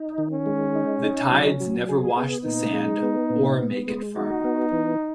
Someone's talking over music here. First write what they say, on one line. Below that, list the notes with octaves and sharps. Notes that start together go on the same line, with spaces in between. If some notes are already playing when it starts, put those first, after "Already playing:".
The tides never wash the sand or make it firm.
Already playing: D#4
D#3
C#4
G#3
D#4
D#4
F#3
F#3
G#4
B3
A#2 D#4
G#3
B3
A#2
B3
G#3
D#4 F#4
B3
E3